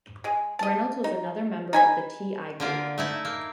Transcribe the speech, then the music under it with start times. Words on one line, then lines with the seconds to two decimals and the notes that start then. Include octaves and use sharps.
Reynolds was another member of the T I Group.
0.24 G#3 G#4
0.59 D#5 A5
1.04 D#4
1.73 D#4 G#5 B5
2.60 D3 A#3 F4
2.98 A3 D#4 E4
3.25 A#3